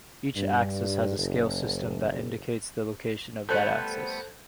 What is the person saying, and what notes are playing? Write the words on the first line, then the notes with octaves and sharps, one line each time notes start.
Each axis has a scale system that indicates the location of that axis.
G2
F#1
G3 A3 B3 A4 C5 F#6 G6